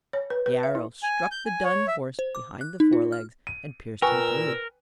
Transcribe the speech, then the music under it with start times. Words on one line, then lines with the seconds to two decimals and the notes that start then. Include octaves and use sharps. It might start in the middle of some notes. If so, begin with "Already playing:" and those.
The arrow struck the dun horse behind the forelegs and pierced him through.
0.13 C#5
0.30 B4
0.46 B4
0.63 E5
0.75 E4
1.03 G#5
1.32 G6
1.46 G#5
1.64 C#5
1.88 E5
2.19 C5
2.35 D6
2.61 F#6
2.80 D#4
2.93 F4
3.12 F6
3.47 D#7
4.02 A#2 A#4 B4 G5 G#5 C#6 E6